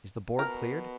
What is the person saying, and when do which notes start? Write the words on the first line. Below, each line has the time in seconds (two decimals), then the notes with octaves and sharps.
"Is the board cleared?"
0.39 B2 A#4